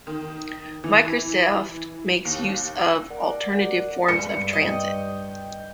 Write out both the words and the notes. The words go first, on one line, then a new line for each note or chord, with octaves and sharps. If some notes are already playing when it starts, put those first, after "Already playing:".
Microsoft makes use of alternative forms of transit.
D#3
E3
D#2
A#4 D5 F#5
G2 G#3 C#7
D#5 G5